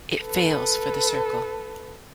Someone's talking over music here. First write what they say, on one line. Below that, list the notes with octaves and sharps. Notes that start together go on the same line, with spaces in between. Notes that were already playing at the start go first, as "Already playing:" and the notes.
It fails for the circle.
A4 B4